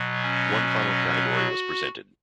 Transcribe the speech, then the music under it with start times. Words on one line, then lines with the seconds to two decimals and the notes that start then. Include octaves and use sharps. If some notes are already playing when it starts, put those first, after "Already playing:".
One final category was presented.
Already playing: B2 F#3
0.22 C#4
1.37 F#4